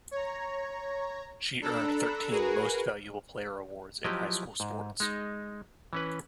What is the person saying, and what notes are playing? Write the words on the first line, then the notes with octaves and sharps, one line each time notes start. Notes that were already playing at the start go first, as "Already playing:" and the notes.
She earned thirteen Most Valuable Player awards in high school sports.
C#5 A#5
D4 A4 A#5 B5 E6 F#6
F#4 G#4 A#4 B4
F3 F#3 E4 G4 D#5
G#2
G#3 D#4
E3 C#4 B4